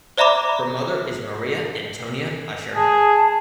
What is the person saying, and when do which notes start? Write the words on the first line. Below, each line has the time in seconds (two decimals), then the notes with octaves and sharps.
Her mother is Maria Antonia Ussher.
0.18 C5 D5 E5 A#5 B5 D6
2.76 G#4 A5